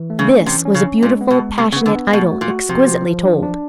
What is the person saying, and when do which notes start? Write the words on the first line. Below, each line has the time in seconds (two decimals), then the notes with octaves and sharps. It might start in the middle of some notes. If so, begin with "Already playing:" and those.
This was a beautiful, passionate idyl exquisitely told.
Already playing: E3
0.10 A3
0.19 C#3
0.28 C#4
0.46 C3 E3
0.65 C#4
0.74 C#3
0.84 C#4
1.03 A#2 G#3
1.21 B3
1.31 B2
1.40 G#3
1.57 C3 B3
1.72 C#3
1.76 B3
1.86 D3
1.95 B3
2.13 B2 A3
2.32 F#4
2.41 A#2
2.50 F#4
2.69 C3 F3
2.88 F3
3.06 F3
3.24 D4
3.43 D4